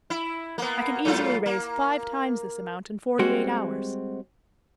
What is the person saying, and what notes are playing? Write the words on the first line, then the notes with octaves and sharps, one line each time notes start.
I can easily raise five times this amount in forty-eight hours.
E4
A#3 B3
G#2 F#3 F4
A#3
G3 G#3 C4 F#4